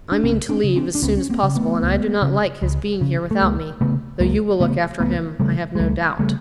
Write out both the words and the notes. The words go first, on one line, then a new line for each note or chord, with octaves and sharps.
I mean to leave as soon as possible, and I do not like his being here without me, though you will look after him, I have no doubt.
D4
C#2 B3 C#4
C4 D4
C#3
C4 D4
D4
C#2 B3 C#4
C#4
A#3 C4
C#3
A3 B3
C#2
C#3
C#2
C#3
A3
C#2 G#3 A#3
C#3 A3 B3
C#2 G#3 A#3
C#3 A3 B3
C#2 A3 B3
C#3 G3 A3
G#3
C#2 G3 A3
C#3 G3 A3